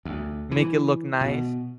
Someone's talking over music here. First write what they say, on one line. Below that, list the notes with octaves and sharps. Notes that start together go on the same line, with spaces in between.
make it look nice.
D2
E3
B2